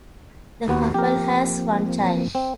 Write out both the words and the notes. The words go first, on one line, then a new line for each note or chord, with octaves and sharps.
The couple has one child.
D#2 B3 F#4
F3 A#3 C4 G4 A#4
C4